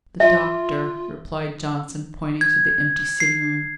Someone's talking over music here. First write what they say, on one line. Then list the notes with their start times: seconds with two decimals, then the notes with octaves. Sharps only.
"The Doctor!" replied Johnson, pointing to the empty sitting-room.
0.20 F4 E5
2.41 G#6
3.20 C7